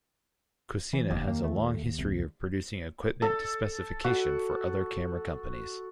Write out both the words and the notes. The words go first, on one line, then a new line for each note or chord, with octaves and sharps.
Cosina has a long history of producing equipment to specification for other camera companies.
E3
F1 D#2
A#3
A3
C2
A4
F#4